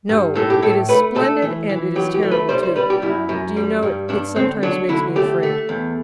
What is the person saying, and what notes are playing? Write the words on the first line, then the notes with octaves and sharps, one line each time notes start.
"No, it is splendid, and it is terrible, too. Do you know, it sometimes makes me afraid."
G2
A2 A4
G4
A2 A4
A3 B4
A3 A4
E3
E3
F#3 G4
G4
A3
B4
G3 C5
C5
G3 B4
G4
F#2 E4
F#2
G3
G2
G2 D4
D3 C4
F#3 D4
D3 E4
A3 G4
A3
E2